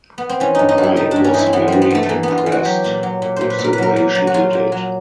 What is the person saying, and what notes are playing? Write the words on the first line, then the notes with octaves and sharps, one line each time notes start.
I was very impressed with the way she did it.
B3
C4
E3 C#4
G2 D#4
D#4
G2
E4
G3 D#4
G2 D4
C#4
E3 D#4 E4
C4
E3 B3
G2 C4
B3
G2 A3
A3
E3 A#3
G2 B3
F4
E3
F#4
F#3 G4
A#2
F#3
A#2
A#2 C5
B4
A#2
A#4
B4
F#3 A#4
A#2
F#3
F#4
F#3 F4
A#2
F#3